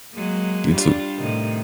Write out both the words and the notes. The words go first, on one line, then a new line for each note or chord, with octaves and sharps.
You, too.
F#3 G#3 A#3
G3 D4 F4
A2 C3 D#3